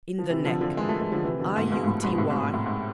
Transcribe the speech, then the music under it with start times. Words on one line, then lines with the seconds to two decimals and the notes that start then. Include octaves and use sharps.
In the neck. I.u.t.y.
0.19 F3
0.30 C3 E3
0.45 D3 F3
0.61 D3 F3
0.77 E3 G#3
0.89 F3 A3
1.00 E3 G#3
1.12 D3 F3
1.24 C3 E3
1.39 B2 D3
1.56 G#2 B2
1.72 G#2 B2
1.84 G#2
1.87 A2
2.03 G#2 B2
2.13 B2
2.18 A2 C3
2.30 G#2 B2
2.42 A2
2.54 A2
2.66 G#2